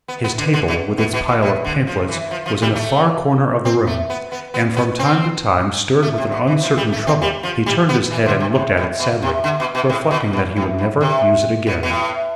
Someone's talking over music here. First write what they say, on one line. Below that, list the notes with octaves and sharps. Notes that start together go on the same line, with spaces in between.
His table, with its pile of pamphlets, was in a far corner of the room, and, from time to time, stirred with an uncertain trouble, he turned his head and looked at it sadly, reflecting that he would never use it again.
B3
B3
D3
D3
B2
B2
B2
A2
B2
D3
F3
E3
F3
F3
G3
A3
C4
A3
B3
B3
B3
B3
C4
A3
C3
B2
E3
F3
G3
A3
C4
G3
F3
G3
B3
E3
D3
C3
A2
A2
B2
C3
D3
B2
B2
A2
B2
B2
A2
B2
C3
B2
B2
A2